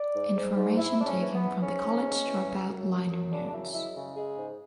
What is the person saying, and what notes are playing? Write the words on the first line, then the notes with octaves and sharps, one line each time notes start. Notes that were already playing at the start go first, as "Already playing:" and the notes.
Information taken from "The College Dropout" liner notes.
Already playing: D5
G#2
G#2
G#2
G#2 E4
G#2 D4
C#4
E3
B3
E3
G#2 C#4
G#2
G#3
E3
C#3
F#2
F#2
F#2
C#3 D4
D4
F#2 E4
G#3 E4
C#3
G#3 G#4
G#2